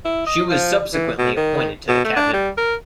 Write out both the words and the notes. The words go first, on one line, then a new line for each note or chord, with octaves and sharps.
She was subsequently appointed to the Cabinet.
E4
D#5
F3
E3
B2
D#3
B2
A3
D4
G3
A#4